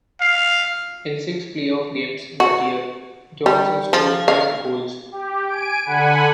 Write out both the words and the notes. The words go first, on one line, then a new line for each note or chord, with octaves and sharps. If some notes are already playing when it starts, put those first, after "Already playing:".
In six playoff games that year, Johnson scored five goals.
F5
F#4
G3
F3
F5
G4
G#5 D7
D3 F#5 G#5 B5